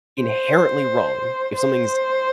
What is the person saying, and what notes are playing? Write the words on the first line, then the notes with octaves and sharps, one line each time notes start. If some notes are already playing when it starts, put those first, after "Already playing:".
inherently wrong, if something's
C5
C5